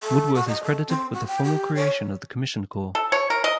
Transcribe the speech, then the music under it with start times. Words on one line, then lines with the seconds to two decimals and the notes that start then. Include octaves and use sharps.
Woodworth is credited with the formal creation of the Commissioned Corps.
0.03 A4
0.35 F#4
0.48 D#5
0.63 A4
0.88 C4
1.14 F#4
1.27 G5
1.44 G4
1.75 C#5
2.95 A4
3.12 C#5
3.30 A#4
3.44 D#5